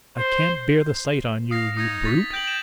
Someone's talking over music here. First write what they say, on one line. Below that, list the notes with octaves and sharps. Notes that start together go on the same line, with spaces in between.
I can't bear the sight on you, you brute.'
C5
F5 D#6 A#6
D#4 D#6 G#6
A6 B6
G5 G6 A6 F#7
E7